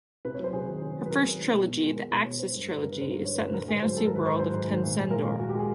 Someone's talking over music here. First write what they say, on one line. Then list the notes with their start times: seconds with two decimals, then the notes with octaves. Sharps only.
Her first trilogy, "The Axis Trilogy", is set in the fantasy world of Tencendor.
0.25 C3 B4
0.35 C#5
0.39 F#3 C5
0.53 C3 G#4
0.67 D#3
0.82 C3
0.96 F#3
1.06 B4
1.10 C3 A#4
1.25 D#3
1.39 G#3
1.53 B2
1.67 B2
1.82 G#3
1.96 G#3 A#4
2.11 B2 B4
2.25 B2 C#5
2.39 G#3 C5
2.54 G2
2.68 G3
2.82 G2 A#4
2.92 B4
2.96 D3
3.01 C5
3.10 G2 B4
3.25 G3 C#5
3.35 B4
3.39 G2 C5
3.47 B4
3.54 D3 A#4
3.68 G#2 G#4
3.82 F#3 C5
3.96 G#2 A4
4.06 A#4
4.11 D#3 B4
4.25 G#2 C5
4.39 F#3 C5
4.54 G#2
4.68 D#3
4.83 A#2
4.97 G#3
5.11 A#2 A#4
5.25 F3
5.39 A#2 F#4
5.49 G4
5.54 G#3 G#4